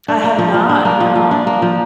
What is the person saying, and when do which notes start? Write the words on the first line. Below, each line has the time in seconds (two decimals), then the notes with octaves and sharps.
I have not, no.
0.08 D4
0.24 A#3
0.38 F3
0.54 F3
0.69 D4
0.85 A#3
1.00 F3
1.15 F3
1.31 D4
1.47 A#3
1.62 F3